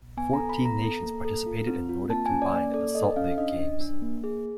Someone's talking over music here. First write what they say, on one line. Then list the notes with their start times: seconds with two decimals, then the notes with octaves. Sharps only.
Fourteen nations participated in Nordic Combined at the Salt Lake Games.
0.17 B3 G#5
0.33 A#5
0.39 A4
0.50 B5
0.61 B3 A#5
0.82 A4
1.03 A#3
1.25 A4
1.46 F4
1.67 C4
1.89 F4
2.10 A#3 A5
2.26 G#5
2.31 C#4
2.42 D5
2.53 A#3
2.74 A4 D5
2.95 A4 D#5
3.16 C#4 F5
3.38 D4 D#5
3.60 D4
3.81 D4
4.02 A#3
4.24 G#4